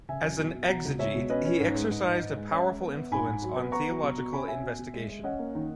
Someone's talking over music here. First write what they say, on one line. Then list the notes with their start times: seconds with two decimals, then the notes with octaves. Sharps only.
As an exegete he exercised a powerful influence on theological investigation.
0.09 C#3 E5 G#5
0.23 F#2
0.39 B2
0.54 B2
0.69 B2 F#5 A#5
0.85 C#2
0.99 G#3 C#5 E5
1.15 B2
1.30 C#4 B4 D#5
1.45 C#4
1.60 G#2
1.75 G#3
1.91 G#2
2.06 G#2
2.21 G#2
2.36 G#3
2.51 C#4 C#5 E5
2.66 G#3
2.81 B3
2.97 B3
3.11 G#2 G#5 B5
3.27 G#2
3.42 F#3
3.57 B3
3.72 B3 A#5 C#6
3.88 F#3
4.03 B2
4.18 B2
4.33 C#4 G#5 B5
4.48 C#4 E5 G#5
4.63 B2
4.79 B2
4.94 G#3
5.09 G#3
5.23 C#4 D#5 F#5
5.39 A#3
5.55 D#3